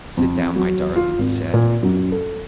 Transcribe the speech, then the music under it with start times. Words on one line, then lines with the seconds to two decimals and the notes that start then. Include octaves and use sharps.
"Sit down, my darling," he said.
0.17 F2
0.56 F#3
0.96 F4
1.18 G#1
1.54 A#2
1.83 F#2
2.12 A4